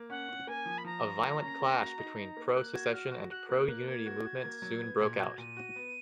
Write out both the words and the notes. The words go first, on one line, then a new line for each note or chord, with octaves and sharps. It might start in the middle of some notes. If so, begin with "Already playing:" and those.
A violent clash between pro-secession and pro-unity movements soon broke out.
Already playing: A#3
C#4 F#5
C#4
A#3 G#5
F3
B5
F3 A#5
F4
A#3
C#4
A#3
F#4
D#4
D#4
A#3
A#3 F#6
F#4 G#6
F#4 F6
F#4
F#4 F#6
A#3 F#6
A#3 F#6
A#3 G#6
F#4
F#4
A#3
F#3
B3
A#2
F#4
A#2 D#7
F#4
B3